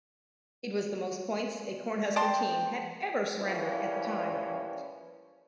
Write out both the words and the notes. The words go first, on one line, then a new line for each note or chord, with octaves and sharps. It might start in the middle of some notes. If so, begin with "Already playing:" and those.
It was the most points a Cornhusker team had ever surrendered at the time.
D5 G5 A5 C6
A#2 E3 F3 G3 C#4